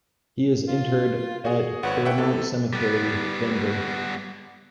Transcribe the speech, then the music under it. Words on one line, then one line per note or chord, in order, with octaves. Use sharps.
He is interred at Fairmount Cemetery, Denver.
F4
F#4 G#4
G#1 B4 C#5 F#5
A#3 E5 F#5 G5
C3 E4 A4
G3 B3